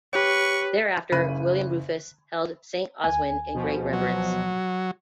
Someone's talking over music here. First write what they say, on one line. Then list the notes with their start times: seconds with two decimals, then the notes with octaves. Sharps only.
Thereafter, William Rufus held Saint Oswin in great reverence.
0.13 G4 B4 C#5 C#6
1.12 F#1 C#3 B5 F#6 D#7
3.04 D2 G#5
3.54 B2 F3
3.93 F#3